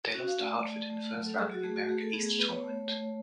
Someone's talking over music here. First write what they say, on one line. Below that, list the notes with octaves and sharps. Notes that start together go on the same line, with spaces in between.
They lost to Hartford in the first round of the America East Tournament.
C#4 F#4
F5
A3 D5
A3
A3
F#3
A4
F#3 G#4
F#4
A3 G#4
F#4
A3 G#4
A4
B3 G#4
G#4
B3 B4
C#5
A3
A3